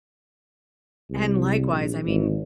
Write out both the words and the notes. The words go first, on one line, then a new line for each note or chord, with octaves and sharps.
and likewise, I mean
C2
A#1
G#1